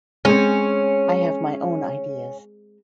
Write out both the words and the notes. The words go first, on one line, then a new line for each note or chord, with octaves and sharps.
I have my own ideas.
G#3 C4 C#4